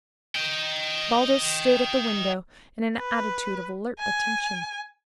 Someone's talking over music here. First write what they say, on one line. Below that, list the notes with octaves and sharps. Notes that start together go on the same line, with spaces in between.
Baldos stood at the window in an attitude of alert attention.
D#5 G5
B4
G#5